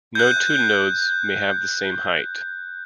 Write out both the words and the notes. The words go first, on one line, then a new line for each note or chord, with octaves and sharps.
No two nodes may have the same height.
F#6 G6